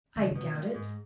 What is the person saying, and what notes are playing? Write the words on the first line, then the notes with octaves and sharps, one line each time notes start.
"I doubt it."
C#3
C#3
B2
A#2
G#2